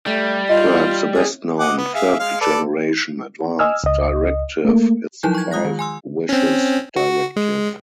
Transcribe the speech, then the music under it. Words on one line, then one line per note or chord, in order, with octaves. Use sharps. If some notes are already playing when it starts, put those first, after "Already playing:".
Perhaps the best known third-generation advance directive is the Five Wishes directive.
G3 A3
F4 D#5
G#4
D#5 F#5 D6
B3
G#4 E5 F5
G#3 F5 F6
A4 B4 D5
D#5 G#5 E6 F6
C#2 D#5
A3 A#3
F3 F#3 D#4 E4 A5 G6
C#6 G#6
G#3 F4 D#6 F#6 A#6
D#3
G#5 C6 E6
C4 C#4
F#4
G#3